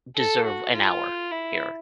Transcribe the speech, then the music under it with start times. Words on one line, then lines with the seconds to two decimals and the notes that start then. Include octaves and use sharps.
deserve an hour, here
0.16 A4
0.45 F#4
0.73 F4
1.31 E4